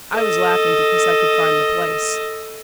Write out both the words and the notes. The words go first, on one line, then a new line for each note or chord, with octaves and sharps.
"I was laughing because I could find the place."
A4 D#5